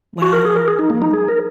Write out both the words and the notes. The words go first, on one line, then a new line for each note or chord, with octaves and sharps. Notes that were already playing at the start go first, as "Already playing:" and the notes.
Wow, mhm.
F#4
A#4
G#4
A#4
G#4
D#4
A#3
D#4
G#4
A#4